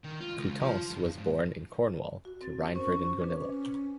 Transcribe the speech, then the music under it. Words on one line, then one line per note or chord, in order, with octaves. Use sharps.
Coutances was born in Cornwall, to Reinfrid and Gonilla.
D#3
F4
C#2
F3
G2
G#2
F#4
C4 A6
C#4 A#4 C5 C#6
B4 D6 G#6
C#4